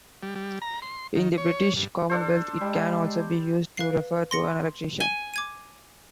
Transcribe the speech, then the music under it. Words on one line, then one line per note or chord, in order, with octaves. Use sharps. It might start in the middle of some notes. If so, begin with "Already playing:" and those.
In the British Commonwealth, it can also be used to refer to an electrician.
G3
G3
A#5
C6
D#3
C#5
G2
D4 A4 C5
G3 G#3
B4 F5 C7
C6 A#6 C#7
G#5 G7
D6 G#6 D#7